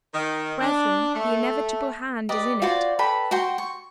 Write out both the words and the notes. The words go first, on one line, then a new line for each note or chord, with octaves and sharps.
Brethren, the inevitable hand is in it.
D#3
D4
A3
G4 B4 D5 D#5
F4 F#4 C5 D5
A4 B4 G5 B5
F#4 G5 C6 C#6
C#6